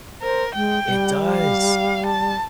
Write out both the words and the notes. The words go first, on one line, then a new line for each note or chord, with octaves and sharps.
It does.
A#4 C5
G#3 G5
G3
F5
A5